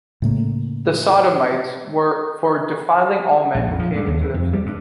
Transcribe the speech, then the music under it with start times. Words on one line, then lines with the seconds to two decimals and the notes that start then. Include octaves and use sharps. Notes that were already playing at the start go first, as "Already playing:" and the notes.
The Sodomites were for defiling all men who came into their city.
0.22 A2 C#3 A3 A#3
3.55 A#1
3.68 F2
3.79 F3
3.95 G2
4.07 D#2
4.21 E3
4.34 F2
4.53 G3
4.66 G2